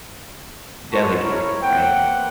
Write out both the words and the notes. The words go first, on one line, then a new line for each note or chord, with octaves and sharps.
delegated, right?
E4 F#4 C5 C#5 A5 C#6
E4 A#4 C#5
A#3 C4 B4 F#5 G5